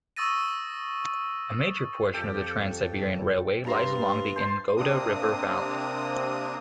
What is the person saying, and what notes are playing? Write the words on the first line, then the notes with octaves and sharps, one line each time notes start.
A major portion of the Trans-Siberian Railway lies along the Ingoda River valley.
C#6 D#6 E6 A6 A#6 D#7
F2 G4 A4 G5
G2 A5 A#5 C6
C5 A5 C6
C3 A#3 C4 D4 D#6